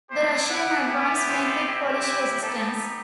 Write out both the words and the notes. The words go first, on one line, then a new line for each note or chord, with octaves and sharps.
The Russian advance met with Polish resistance.
B3 E4 G4 C5
F#5
G3 B3 E4 G4
C5
C4 E4 G4
B4
B3 D#4 G4 A4